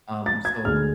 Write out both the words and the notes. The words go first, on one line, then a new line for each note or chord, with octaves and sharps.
um, so
A6
G#6
D2 D3 G#3 F6